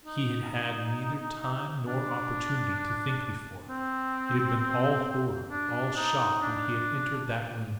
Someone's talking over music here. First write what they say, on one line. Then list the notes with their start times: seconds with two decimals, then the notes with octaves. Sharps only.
He had had neither time nor opportunity to think before; it had been all horror, all shock when he had entered that room.
0.05 D#4
1.86 D4
3.69 C4
5.51 D4
5.96 D#4
6.42 D4